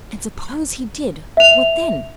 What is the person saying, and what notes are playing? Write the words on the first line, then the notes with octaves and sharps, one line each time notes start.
And, suppose he did, what then?
E5 F7